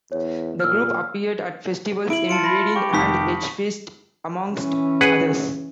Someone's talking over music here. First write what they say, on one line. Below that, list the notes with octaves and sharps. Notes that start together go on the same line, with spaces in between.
The group appeared at festivals in Reading and Edgefest, amongst others.
E2 C#5
A#2 E6 F6
E4 D7 F#7
F4 A5 C#7 D7
B5 A#6
G4 C#6
F1 D#3 C#6 D#6 B6
E3 C#4
G#4 B4 F#5